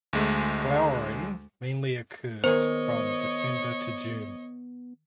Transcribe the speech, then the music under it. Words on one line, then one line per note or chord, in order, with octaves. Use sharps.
Flowering mainly occurs from December to June.
D2 G#3 A3
D#3 A#3 B3 G#4 C5 C#5 D#5